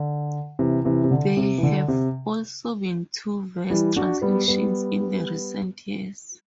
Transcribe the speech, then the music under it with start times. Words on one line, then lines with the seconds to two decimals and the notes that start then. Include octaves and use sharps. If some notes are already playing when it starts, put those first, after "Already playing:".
There have also been two verse translations in recent years.
Already playing: D3
0.59 C3 E3
0.85 C3 E3
1.04 C3
1.11 D3
1.37 C3
1.58 E3
1.63 D3
1.88 C3
3.70 E3 G3
3.96 D4 F#4
4.22 G3 B3
4.48 G3 B3